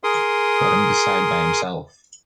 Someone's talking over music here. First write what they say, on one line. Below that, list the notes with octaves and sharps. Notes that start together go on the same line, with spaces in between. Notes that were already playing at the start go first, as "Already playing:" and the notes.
Let him decide by himself.
G#4 A#4 C6 D#6